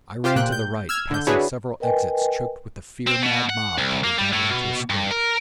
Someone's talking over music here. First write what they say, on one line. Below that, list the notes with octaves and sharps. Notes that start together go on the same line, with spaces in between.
I ran to the right, passing several exits choked with the fear mad mob that were battling to escape.
F4 G4 C5 F5
A#2 G5 F#6
G6
E6 F6 G#6
D3 G6
D4 E4 F#4 G#4 B4 C#5
A#4 B4 D#5 G5 G#5
C4
B2
F#5
C2
A#3
G3
A2
B2
G2
A#4